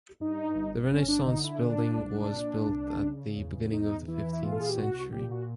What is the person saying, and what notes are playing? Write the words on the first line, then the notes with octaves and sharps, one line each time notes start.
The Renaissance building was built at the beginning of the fifteenth century.
G2 D#4
G1
G1 C#4
D4
D3 D#4
E4
A#2 D4
C2
A#2
C2
C#3
E2
E2 D#4
E3 E4
E4
A#2 F4
A4
G#4
G4
C2 F#4
A#2 G4
F#4